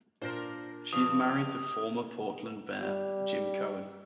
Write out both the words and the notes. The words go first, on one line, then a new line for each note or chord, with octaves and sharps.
She is married to former Portland Mayor Jim Cohen.
A#2 D4 A#4 C5
G2 F3 D#6
G3